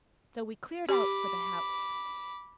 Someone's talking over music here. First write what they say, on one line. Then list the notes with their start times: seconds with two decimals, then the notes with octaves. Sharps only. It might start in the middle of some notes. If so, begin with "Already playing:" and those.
So we cleared out for the house.
0.89 G4 B5 D6